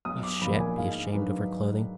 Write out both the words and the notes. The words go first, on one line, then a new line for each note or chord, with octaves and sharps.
You shan't be ashamed of her clothing.
B1 D#6
D6
A#2 F3 B5
G#5
G#2 F5
D#3 F#3 D4 B4